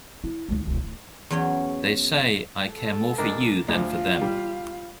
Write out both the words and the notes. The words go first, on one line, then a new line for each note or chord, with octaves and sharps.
They say I care more for you than for them.
E4
C#2 D#3
E1 C#2
D1
E2 F#3 C#4 C#5 G5
A4
G#1 D4 A#4
D2 F3 F4 F5
G3